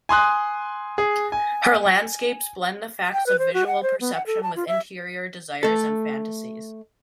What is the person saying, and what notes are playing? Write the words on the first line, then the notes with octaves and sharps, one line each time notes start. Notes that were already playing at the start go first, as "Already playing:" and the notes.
Her landscapes blend the facts of visual perception with interior desires and fantasies.
G#5 C6 D#6 F#6
G#4
G#5
G5
B4
C5
F#4
F#5
C5
B3
F#5
A4
A5
F4
E5
A3 A4